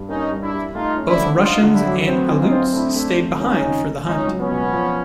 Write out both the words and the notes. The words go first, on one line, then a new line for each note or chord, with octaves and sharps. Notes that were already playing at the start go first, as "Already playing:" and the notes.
Both Russians and Aleuts stayed behind for the hunt.
Already playing: G2
A#3 C#4 D#4
G3
D4 E4
G3
A3 D#4 F4
C#4
D4 E4
D3
D3 D#4 F4
D3
D4 E4
F#3
A3 B3 C4
E3
D#4 F4
C4
A3 D4 E4
A3
F3
D#2 C#4 D#4
D#2
D#2
C#2 C#4 D#4
F#3
B3 C#4
B2
F3